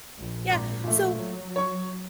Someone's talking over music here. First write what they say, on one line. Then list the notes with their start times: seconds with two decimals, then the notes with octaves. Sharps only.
Yeah. So
0.18 A#1
0.50 G#1
0.84 A#2 A3
1.15 F#3
1.56 C#5 C#6